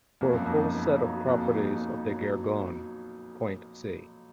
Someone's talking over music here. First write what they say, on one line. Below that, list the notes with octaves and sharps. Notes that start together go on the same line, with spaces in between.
For a full set of properties of the Gergonne point see.
F2 A#2
F#2
F2 D#4
B3
F#3
F2 A#2
D#4
B3
F#3